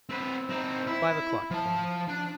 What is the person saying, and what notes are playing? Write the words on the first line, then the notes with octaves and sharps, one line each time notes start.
Five o'clock came.
C4 B4
C4 D#4
E4
F3 A5
D4